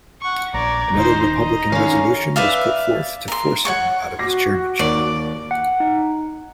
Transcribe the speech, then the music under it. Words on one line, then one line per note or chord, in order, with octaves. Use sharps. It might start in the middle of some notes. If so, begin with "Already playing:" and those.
Another Republican resolution was put forth to force him out of his chairmanship.
F#5 C#6
A#1 D5 A#5 G#6
D#1 D#3 D#4 C5
D#5
D3 D#3 C#4 F5
B4 D5 E5 F5
A#4 C6
C#5 F#5 C#6
F#4 D6 A#6 C7
D#2 A#4 D5 C#6
F#5
D#4